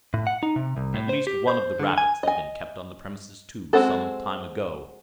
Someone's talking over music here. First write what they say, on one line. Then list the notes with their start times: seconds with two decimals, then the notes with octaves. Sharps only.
At least one of the rabbits had been kept on the premises, too, some time ago.
0.14 A2
0.27 F#5
0.43 D#4
0.56 C3
0.77 C2
0.94 A2
1.09 C5
1.27 G4
1.48 C5
1.79 D3
1.98 G#5
2.23 D#5 G#5
3.73 G#3 A#3 C4 F#4 A4